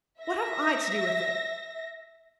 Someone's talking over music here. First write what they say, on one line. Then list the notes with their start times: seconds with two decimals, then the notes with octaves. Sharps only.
What have I to do with it?
0.21 E5 A#6